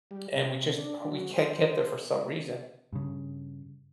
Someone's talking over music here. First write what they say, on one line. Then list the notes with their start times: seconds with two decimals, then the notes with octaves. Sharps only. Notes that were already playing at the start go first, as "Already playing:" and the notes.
and we just hu we can't get there for some reason.
0.11 G3
0.36 C3
0.78 D4
1.12 F#3
1.34 C5
2.93 G2 C#3